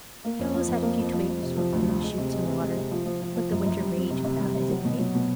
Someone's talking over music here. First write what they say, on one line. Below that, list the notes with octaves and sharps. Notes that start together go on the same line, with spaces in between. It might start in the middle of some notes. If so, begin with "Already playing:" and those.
She always had a few twigs or green shoots in water--let the winter rage without as it might.
A#3
F2
F3
F2
A#3
F2
F3
F3
C3
F3
D2
F3
G#3
C3
G#3
C3
G#3
C3
F3
F3
F3
F3
F#2
F#2
G3
C4
C3
C3
G3
C3
F#3
B2
F#3
B2